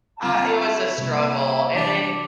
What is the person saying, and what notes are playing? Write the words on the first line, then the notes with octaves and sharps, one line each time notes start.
uh, it was a struggle, and then,
D3 G3 C4 F4
E4
C3 G3 A#3
C3 E3 G3 D4